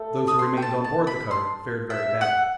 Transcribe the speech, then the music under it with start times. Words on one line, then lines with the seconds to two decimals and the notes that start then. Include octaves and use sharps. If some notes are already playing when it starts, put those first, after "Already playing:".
Those who remained on board the cutter fared very badly.
Already playing: A3 A4
0.27 D#6
0.39 C6
0.57 G5
0.62 A5
0.84 A5
1.07 B5
1.31 C6
1.90 E5
2.21 F#5